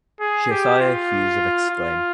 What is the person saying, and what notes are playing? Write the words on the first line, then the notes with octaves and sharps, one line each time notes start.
Josiah Hughes of Exclaim!
G#4
G4
F4
F4